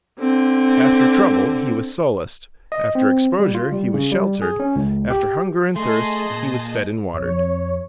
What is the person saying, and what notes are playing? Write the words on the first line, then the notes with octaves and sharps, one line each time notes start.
After trouble, he was solaced; after exposure, he was sheltered; after hunger and thirst, he was fed and watered.
D3 C4
D#5
C4
G3
F4
G3
C#3
G3
G#4
C#4
C#2
G4
A3 G#4 D#5 A5 C6
A#2
F2 C#5